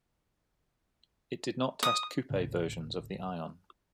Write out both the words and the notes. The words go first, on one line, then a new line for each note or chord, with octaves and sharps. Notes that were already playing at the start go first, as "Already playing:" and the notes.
It did not test coupe versions of the Ion.
D#6
G#1 D2 A2 C#3